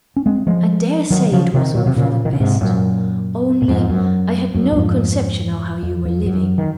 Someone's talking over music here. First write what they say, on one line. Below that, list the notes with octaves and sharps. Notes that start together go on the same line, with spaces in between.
I dare say it was all for the best, only I had no conception of how you were living.
C#4
G#3 C4
F3 G#3
D#3 F#3
C#3 F3
C3 D#3
A#2
C3
A#2 C#3
D#3
C#3
G#2 C3
F#2 A#2
A#2
F2 G#2
F#2
F#2
F#2
F2 G#2
F2
F2
F#2
D#3